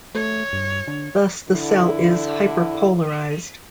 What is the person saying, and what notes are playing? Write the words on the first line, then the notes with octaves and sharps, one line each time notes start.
Thus the cell is hyperpolarised.
A3 C#5
G2
D3
D3 E4